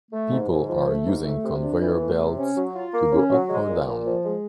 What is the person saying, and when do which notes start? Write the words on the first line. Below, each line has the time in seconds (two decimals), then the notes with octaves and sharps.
People are using conveyor belts to go up or down.
0.11 A3
0.30 G#2
0.48 G#2
0.67 F3
0.86 A3
1.05 G#2
1.23 A3
1.43 C3
1.61 D4
1.80 E3
1.99 A3
2.17 C3
2.36 C#4
2.56 F#3
2.74 F4
2.93 A#3
3.11 C#4
3.31 F#3
3.49 G#3
3.67 A#2
3.86 A#2
4.05 F3
4.23 G#3